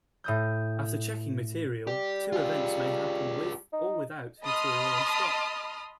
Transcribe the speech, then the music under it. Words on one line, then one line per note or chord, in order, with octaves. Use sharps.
After checking material, two events may happen-with or without material on stock.
A2 D#6 G6
G3 G4
F4 G#4
D#4
D#5 A5 B5 C6 D#6 F6